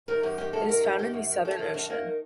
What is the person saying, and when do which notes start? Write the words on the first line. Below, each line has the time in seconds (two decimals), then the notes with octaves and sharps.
It is found in the Southern Ocean.
0.08 D#3 A#4
0.23 F#2 G4
0.38 D#3 G4
0.53 F#2 A4
0.69 D#3 A#4
0.84 F#2 A4
0.98 D#3 G4
1.14 F#2
1.29 D#3
1.45 F#2 A4
1.59 D#3 A4
1.74 F#2 D4
1.90 D#3 A#3